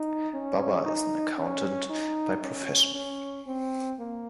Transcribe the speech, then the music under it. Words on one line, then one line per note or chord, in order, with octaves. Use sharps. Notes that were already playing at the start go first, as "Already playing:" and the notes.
Baba is an Accountant by Profession.
Already playing: D#4
C#4
D#4
C#4
D#4
C#4
C#4
C4
A#3